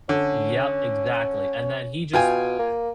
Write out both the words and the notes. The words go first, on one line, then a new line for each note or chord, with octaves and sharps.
Yep, exactly, and then he just
D3 C#4
B2 F4 G5 G#5
A#3